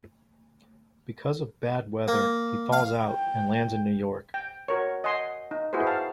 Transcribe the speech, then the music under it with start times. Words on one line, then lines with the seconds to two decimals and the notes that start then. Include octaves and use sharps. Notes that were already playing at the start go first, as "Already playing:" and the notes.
Because of bad weather, he falls out and lands in New York.
2.08 A#3
2.72 F5
3.07 G5
4.34 G5
4.68 F#4 A#4 C#5
5.04 D#5 F#5 G#5 C6
5.51 D#4
5.73 E4 F#4 G#4 B4 C5
5.87 F5 A5